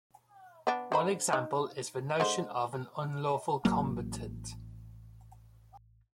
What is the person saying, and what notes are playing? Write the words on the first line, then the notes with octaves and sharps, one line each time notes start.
One example is the notion of an unlawful combatant.
B3 D4
D3 C5 B5
D#4
D3 G#3 C5
A1 F#3 A#3